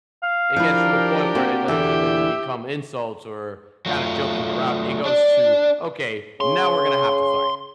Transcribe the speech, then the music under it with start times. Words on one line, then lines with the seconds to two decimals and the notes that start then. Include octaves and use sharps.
It gets to a point where it doesn't even become insults or kinda joking around. It goes to, okay, now we're gonna have to fight.
0.23 F5
0.56 F3 D4 E4 G4 A#4
1.35 A#3 C4 F#4
1.68 E2 D3 E3 G4 E5
3.86 F#3 A3 F4
5.05 D4 D5
6.41 C#3 C6